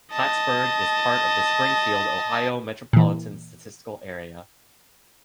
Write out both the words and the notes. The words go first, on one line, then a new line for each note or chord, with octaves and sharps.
Plattsburgh is part of the Springfield, Ohio Metropolitan Statistical Area.
D#5 A5
A#2 E3